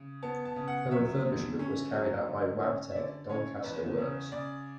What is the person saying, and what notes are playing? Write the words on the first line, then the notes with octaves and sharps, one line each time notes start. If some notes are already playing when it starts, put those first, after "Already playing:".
The refurbishment was carried out by Wabtec, Doncaster Works.
Already playing: C#3
B3 A5
A5
C#3
F#5
F#3 E5
D3
C#4
F#3
D3
C#4
E5
D3 D5
C#4 C#5
E2 B4
C#3
C#3 D5